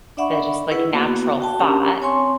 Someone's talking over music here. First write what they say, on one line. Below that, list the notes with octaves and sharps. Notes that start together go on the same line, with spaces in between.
the just, like, natural thought,
D4 D5 E5 F#5 B5 C#6
E4 G#4 B4 F#5
A#3 B3 F#4
F#4 G5 A5
C#4 D4 G4 A#4 A5 A#5
C4 C#5 G#5 C6 C#6